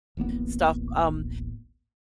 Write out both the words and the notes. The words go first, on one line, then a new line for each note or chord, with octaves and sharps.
stuff, um,
D1 A1 A#3 B3